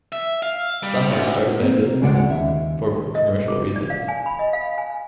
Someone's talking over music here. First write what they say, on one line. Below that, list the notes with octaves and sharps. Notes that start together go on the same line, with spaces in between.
Some are started by businesses, for commercial reasons.
E5
F5
G3
D2
A#3 C4
D2 C#3 G#3 D5 F#5
D#2 E5
D#5
D6
D5
F5
G#5
B5
D#5
F5
G#5